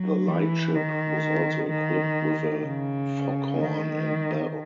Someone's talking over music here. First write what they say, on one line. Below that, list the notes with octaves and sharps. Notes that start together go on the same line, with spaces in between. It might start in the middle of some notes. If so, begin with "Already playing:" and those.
The lightship was also equipped with a foghorn and bell.
Already playing: F#3
E3
D#3
D#3
C#3
D#3